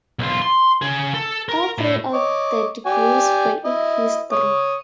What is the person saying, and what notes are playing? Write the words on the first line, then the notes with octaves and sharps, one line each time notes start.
All three of the degrees were in history.
B1 F4
C6
C#3 G#4
A4
A#4
A2
C#5 D#5 D6
G4 D5 G#5
E4 D#5
C#5 D#6